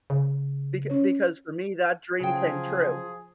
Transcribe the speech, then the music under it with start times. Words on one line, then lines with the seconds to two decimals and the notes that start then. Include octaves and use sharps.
beca because for me that dream came true.
0.10 C#3
0.89 C#4 C#5
2.20 C#3 F3 F#3 G#4 G5